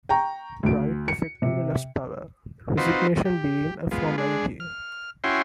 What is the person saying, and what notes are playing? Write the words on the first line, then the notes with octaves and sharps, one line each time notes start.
Wright effectively lost power, the resignation being a formality.
G5 A#5 C#6
D2 D7
C#7
C3
C4 D#4 F4 F#4 B4 C5
G4
G#3 B3 F4
G#3 D4 G#4
F6
C#4 E4 F#4 G5 G#5 C6